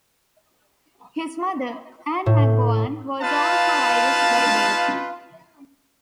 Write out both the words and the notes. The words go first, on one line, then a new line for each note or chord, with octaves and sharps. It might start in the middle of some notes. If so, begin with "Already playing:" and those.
His mother, Ann MacGowan, was also Irish by birth.
A2
D#4 F4 B4 F5 A5